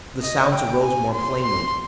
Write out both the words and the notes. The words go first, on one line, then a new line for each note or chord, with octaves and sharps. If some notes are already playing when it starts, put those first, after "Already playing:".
The sounds arose more plainly.
D#5
G5
G#5
C6
C6